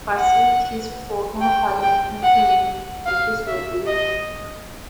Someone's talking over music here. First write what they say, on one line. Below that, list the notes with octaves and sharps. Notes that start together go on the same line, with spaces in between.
Facilities for campfire and camping, and bridges were built.
F#5
G5
G5
F#5
F5
E5
D#5